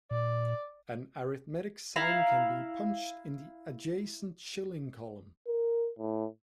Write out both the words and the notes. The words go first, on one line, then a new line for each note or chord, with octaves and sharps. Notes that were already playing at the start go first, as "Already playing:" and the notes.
An arithmetic sign can be punched in the adjacent shilling column.
A#2 D5
E4 F5 A#5
A#4
A2